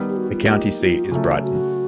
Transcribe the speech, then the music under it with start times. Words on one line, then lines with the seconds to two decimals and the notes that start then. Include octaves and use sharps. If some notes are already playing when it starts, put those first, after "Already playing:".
The county seat is Brighton.
Already playing: D#3 G3 B3
0.09 G4
0.17 F#4
0.32 F4
0.48 A#3 D#4 G4
0.80 F4
1.05 F#4
1.11 C#3 F#3 A3 F4
1.43 F#4